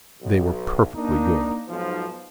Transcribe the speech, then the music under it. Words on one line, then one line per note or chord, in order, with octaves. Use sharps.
They were perfectly good.
B1
A#3 D4 D#4
B1 G#2 F3